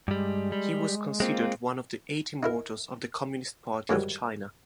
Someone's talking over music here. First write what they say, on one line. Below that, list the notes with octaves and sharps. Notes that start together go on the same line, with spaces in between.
He was considered one of the Eight Immortals of the Communist Party of China.
G2 G3 G#3
G3
G#3 A#3 C4 F4
D#4 E4 A#4
G#2 D#3 F#3 G3